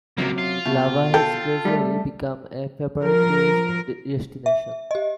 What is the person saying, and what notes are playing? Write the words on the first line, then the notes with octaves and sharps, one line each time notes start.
Lava has gradually become a favorite tourist destination.
C#2 F#2 C3 F#3 A#3
F4
B2 A3
A4 G5
G3 A3
F3 A#4
E5
G4 D#5